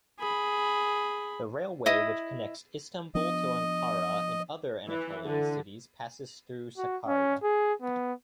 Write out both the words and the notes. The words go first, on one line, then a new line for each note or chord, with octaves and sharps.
The railway which connects Istanbul to Ankara and other Anatolian cities passes through Sakarya.
G#4 B5
E4 D#5 D#6
F3 B3 D4 D#5
E3
D3
F#4
C#4
G#4
B3